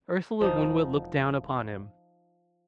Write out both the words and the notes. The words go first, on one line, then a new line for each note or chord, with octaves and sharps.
Ursula Winwood looked down upon him.
E1 F3 D#4